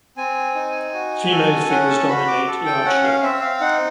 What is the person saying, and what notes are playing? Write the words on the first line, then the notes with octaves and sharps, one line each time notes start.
Female figures dominate largely.
C4 G#5
D#4
F#4
A4
C#4 F#5
A5
F#4 B5
D6
A4
G5
C#4 F#5
F5
C4 E5
F5
D#4 F#5